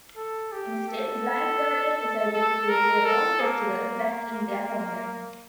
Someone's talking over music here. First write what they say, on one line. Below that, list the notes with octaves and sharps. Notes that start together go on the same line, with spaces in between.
Instead, Blind Guardian decided to create their own festival, back in their homeland.
A4
G4
A4
A4
A#4
A4
A#3